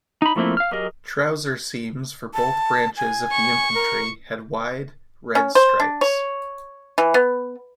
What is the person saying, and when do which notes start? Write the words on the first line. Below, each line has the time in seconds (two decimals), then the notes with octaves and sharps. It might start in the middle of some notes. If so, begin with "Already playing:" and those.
Trouser seams for both branches of the infantry had wide red stripes.
0.22 D#4 B5
0.36 F3 A3 A#3 C4 E4
0.57 F5 F6
0.71 F#3 G4 G#4 A#4 D#5
2.34 A5
2.97 G#5
3.32 C#6
3.74 A#4
5.35 C#4
5.55 C5
5.80 D4
6.01 C#5
6.98 E3
7.14 B3